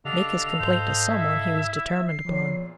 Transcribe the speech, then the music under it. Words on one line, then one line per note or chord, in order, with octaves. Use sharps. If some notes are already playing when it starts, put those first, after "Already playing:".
Make his complaint to some one, he was determined upon.
C#3 D4 G4 A4 D#5 F5 F#5 F7
G#2 C5
E4 E5
C7
E2 A#2 F3 C#5